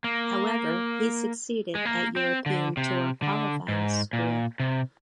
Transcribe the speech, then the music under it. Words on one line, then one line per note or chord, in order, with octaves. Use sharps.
However he succeeded at European Tour Qualifying School.
A#3
G#3
A#3
C4
D3
C3
D3
G#2
A#2
C3